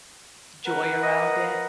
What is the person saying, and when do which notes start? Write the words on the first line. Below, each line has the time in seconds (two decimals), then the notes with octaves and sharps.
joy around it
0.66 A#4 B4 F#5
1.03 D#5